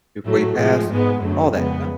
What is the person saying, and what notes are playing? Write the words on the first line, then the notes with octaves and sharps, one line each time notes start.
before he passed, and all that, you know?
A2 F#3 A3
A2 F3 G#3
G#2 G#3 B3
F#2 D3 F#3 A3
F2 C#3 G#3 B3